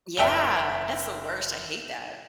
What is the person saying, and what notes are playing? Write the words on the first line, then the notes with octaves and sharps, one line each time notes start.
Yeah. That's the worst, I hate that.
F#1 E5 G5 A5 F7 G7